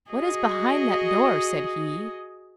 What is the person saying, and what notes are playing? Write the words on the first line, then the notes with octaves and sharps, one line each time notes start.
"What is behind that door?" said he.
F#4 G#4 D#5